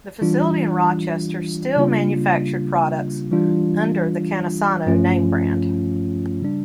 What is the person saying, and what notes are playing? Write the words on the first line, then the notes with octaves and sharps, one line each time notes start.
The facility in Rochester still manufactured products under the Cantisano name brand.
E3 G3 D4 F4
C#3 G3 A#3 D4 F4
E3 G3 D4 F4
G2 F3 A3 C#4 F4
C#3 G3 D4